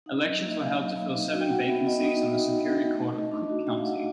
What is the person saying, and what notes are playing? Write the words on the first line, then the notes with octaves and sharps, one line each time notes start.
Elections were held to fill seven vacancies on the Superior Court of Cook County.
D#4
F#3 D#5
A#3
E5
A#3 F5
F#3
A#3
D#4
F#4
G5
F#4 F#5
B3 E5
B3 D#5
D#4 D#5
F#4 E5
D#4
B3
D#4
A3
A3
D#5
D4
D#5
F#4
A3 E5
F5
F#4 F#5